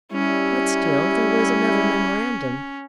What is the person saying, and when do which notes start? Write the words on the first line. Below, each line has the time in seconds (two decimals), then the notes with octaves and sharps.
But still there was another memorandum.
0.12 G3 C#4 E4